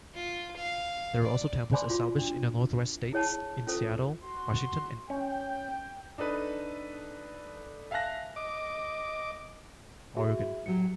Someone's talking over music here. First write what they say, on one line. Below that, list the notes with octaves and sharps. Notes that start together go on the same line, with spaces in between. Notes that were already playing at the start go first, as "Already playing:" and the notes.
There were also temples established in the Northwest states, in Seattle, Washington and Oregon.
F4
F5
D5
C5 D5 G#5 B5 C6 D6
F4 F#4
D4
E4 G#4 C#5 F#5 A5
C#4 F4 A4 C5
F#4 C6
C#4 G5
D4 D#4 A4 B4
E5 F5 G#5 A5 F#6 A#6
D#5 D6
F#4 G#4 E5
E4
A2 F#3 G4 C#7